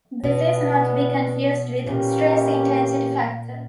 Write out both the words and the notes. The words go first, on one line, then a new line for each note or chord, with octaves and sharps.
This is not to be confused with 'Stress Intensity Factor'.
B2 E3 B3 D4
A#2 E3 A#3 C#4 G4